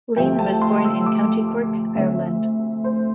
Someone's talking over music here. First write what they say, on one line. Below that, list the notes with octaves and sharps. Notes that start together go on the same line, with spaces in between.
Lane was born in County Cork, Ireland.
D2 C3 F3 A3 G5
A5
C6
E6
D6
D2 D3 A3 C4 E5
C5